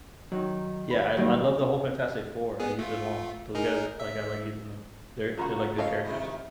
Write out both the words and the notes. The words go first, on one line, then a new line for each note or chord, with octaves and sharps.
Yeah, I I love the whole Fantastic Four, I use them all. Those guys like, I like using them. They're they're, like, good characters.
D#3 F#3
B5
G2 A#2 D#3 F#3
B3 G#4
A3 F4
D#4 G#4 A#4
E5
G2 C#3 F4 F#4 A#5 B5
A4 C#5 D#5 F5 A5
C3 D#3 E4